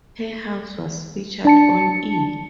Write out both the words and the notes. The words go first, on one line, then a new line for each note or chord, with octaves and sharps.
Her house was featured on E!
D4 A5 C#7